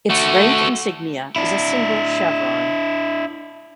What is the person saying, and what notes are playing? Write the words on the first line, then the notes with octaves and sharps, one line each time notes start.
Its rank insignia is a single chevron.
A3 F#4
D4 E4